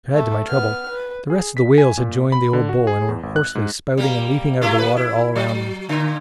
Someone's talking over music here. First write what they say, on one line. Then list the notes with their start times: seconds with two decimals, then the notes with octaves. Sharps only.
To add to my trouble, the rest of the whales had joined the old bull, and were hoarsely spouting and leaping out of the water all around me.
0.14 A3
0.48 B3 F6
0.90 B4
1.30 G#4
1.57 B6
1.78 G#5
1.97 A#2
2.32 B5
2.53 D3
2.69 F#4
2.87 G#4
3.09 E2
3.23 G#1
3.36 F#6
3.55 G#2
3.97 G3 A#3
4.61 A3 E4 F4
4.78 A#3 B4
4.97 E4
5.36 F#3
5.89 A#2 D3